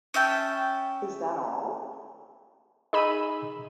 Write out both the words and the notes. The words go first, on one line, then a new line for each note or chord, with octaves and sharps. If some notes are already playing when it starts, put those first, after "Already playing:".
Is That All?
C#4 E5 G5 A5
D#4 G#4 B5 E6 D#7